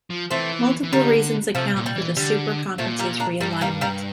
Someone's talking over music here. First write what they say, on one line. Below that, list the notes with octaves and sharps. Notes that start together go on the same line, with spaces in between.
Multiple reasons account for the super conferences realignment.
F3
E3 A3 C4
E3
D3 G3 A#3
C3 F3 A3
A#2
G3
E3
D3 G3
A#2 F3 A3
G3 A#3
A#3 D4
G2 G3 A#3
G3 A#3
G3 A#3